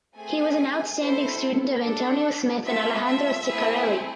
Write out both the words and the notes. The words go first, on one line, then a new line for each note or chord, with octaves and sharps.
He was an outstanding student of Antonio Smith and Alejandro Ciccarelli.
A3 C4 G#4 G#5
C4 E4 A4 C5
D4 A4
A3 C4 F4 A4 E5
E5
A3 C4 E4 G#4